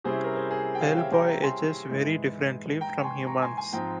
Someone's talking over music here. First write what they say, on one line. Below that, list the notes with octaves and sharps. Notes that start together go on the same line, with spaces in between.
Hellboy ages very differently from humans.
C3 G3 C#4 E4 G#4 C5
A#4
G#4 C5
G#4 C5
G5
C#5 F5
E5 G5
G5 A#5
G5 A#5
G#5 C6
G#2 E3 G#3 E4
G5 A#5
C#6
G#5 C6
A#5 C#6
G#5 C6
G#5 C6
G#2 F3 C4 G5 A#5